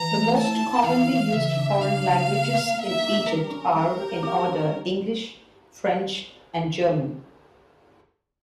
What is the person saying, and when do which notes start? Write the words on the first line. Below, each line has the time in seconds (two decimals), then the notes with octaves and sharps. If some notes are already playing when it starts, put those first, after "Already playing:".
The most-commonly used foreign languages in Egypt are, in order, English, French, and German.
Already playing: E3 A#5
0.11 A3
0.36 E4 A5
0.59 E4
0.84 E3 F5
1.09 E3
1.33 C#3 E5
1.57 D4
1.81 C#3 F5
2.05 C#3
2.29 A#3
2.54 A#3
2.77 A#3 E5
3.02 D4
3.26 G3 A#4
3.50 C#4
3.74 G3 A#4
3.99 G4
4.23 G4
4.47 C#4
4.71 G3